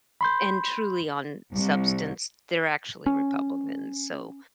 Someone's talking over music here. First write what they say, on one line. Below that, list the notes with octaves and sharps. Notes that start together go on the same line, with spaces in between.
And truly on substance, they're actually Republicans. So
B5 C6 G6
C2
C#4